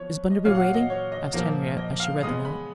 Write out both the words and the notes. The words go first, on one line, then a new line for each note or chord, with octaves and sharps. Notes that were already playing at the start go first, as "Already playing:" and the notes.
"Is Bunderby waiting?" asked Henriette as she read the note.
Already playing: F3 B3 C#5
D#5
A#2 F#3 C#4 F5
F#5
F5
D#5
C#5
D#5
A#2 F3 A#3
D#5
F5
C#3 G#3 B3 D#6
B5